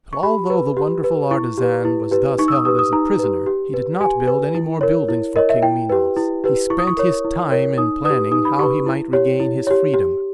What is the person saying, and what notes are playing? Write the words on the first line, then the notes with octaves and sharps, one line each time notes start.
But although the wonderful artisan was thus held as a prisoner, he did not build any more buildings for King Minos; he spent his time in planning how he might regain his freedom.
C#6
G4 B5
B4
G4
B4
E4 C#6
G4 B4
E4
G4 B4
D#4 C#6
E6
D#6
G4 B4 D#6
D#6
D#4 A#5
G4 B4
G4
B4
G4 G#5
B4
E4
A#4 C#5
E4
A#4 C#5 D#5
E5
E4 G5
G4 B4
E4
G4 B4
E4 C#6
D#6
C#6
A#4 C#5
E4
A#4 C#5
D#4 D#6
B4 D#6
G4
D#4 D#6
B5
G4 B4 C#6
E4
G4 C#5
E4
G4 C#5
G4